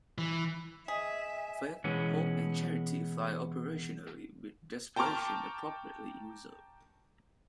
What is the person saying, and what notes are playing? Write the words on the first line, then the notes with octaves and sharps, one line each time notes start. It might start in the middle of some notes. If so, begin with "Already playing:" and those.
"Faith", "Hope" and "Charity" fly operationally, with "Desperation" appropriately in reserve.
E3
G#4 D#5 E5 G#5 B6
B2 E3 G#3 B3 C#4
G5 A5 A#5 C#6 D6 F6